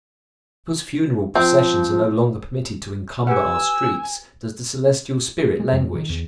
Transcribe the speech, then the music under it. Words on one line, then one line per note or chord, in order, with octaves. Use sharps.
Because funeral processions are no longer permitted to encumber our streets, does the celestial spirit languish?
F3 C4
G4 B4 F#5 G#5 E6
G#3
F2
D#3
E2